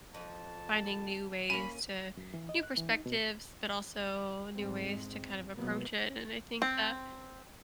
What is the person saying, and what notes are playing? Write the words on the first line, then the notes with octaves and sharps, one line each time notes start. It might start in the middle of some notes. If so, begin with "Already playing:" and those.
finding new ways to new perspectives, but also new ways to kind of approach it, and I think that
F2 A5
A#3 C#4 B5 D#7
F#2
E3
D#5
F#6
E3
D#4
B2
A1 F2 G#2 G#3 C4
B2 F3 F#3 G#3 A#3 B3
C4